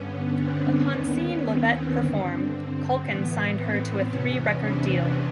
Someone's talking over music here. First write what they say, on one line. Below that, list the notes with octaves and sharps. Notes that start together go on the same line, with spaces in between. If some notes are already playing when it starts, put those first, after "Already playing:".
Upon seeing LaVette perform, Kaulkin signed her to a three-record deal.
Already playing: G2 D3 B3 C#4
C4 D4
D#2 D#3 B3 C#4
C4
G2 D3 C4
A2 E3 B3
C4
E2 C3 E3 B3 C#4
C4 D4